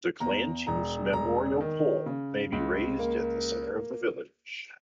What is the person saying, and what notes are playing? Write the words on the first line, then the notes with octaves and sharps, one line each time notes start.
The clan chief's memorial pole may be raised at the center of the village.
E2 A#5
E1 A#5
E1 A#5
D#3
C#3
C#2
A#3